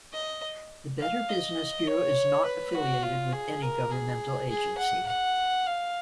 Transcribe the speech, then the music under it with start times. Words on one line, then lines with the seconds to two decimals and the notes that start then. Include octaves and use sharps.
The Better Business Bureau is not affiliated with any governmental agency.
0.13 D#5
0.99 F5
1.29 D#5
1.87 C#5
2.45 B4
2.74 F#4
3.03 F4
3.33 G#4
3.62 A#4
3.91 G#4
4.49 G#4
4.78 F#5
5.07 F#5
5.66 F5